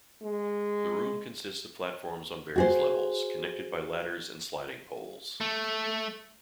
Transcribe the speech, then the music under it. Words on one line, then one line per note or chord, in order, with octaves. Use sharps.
The rooms consist of platforms on various levels, connected by ladders and sliding poles.
G#3
F#4 G#4 C5
A3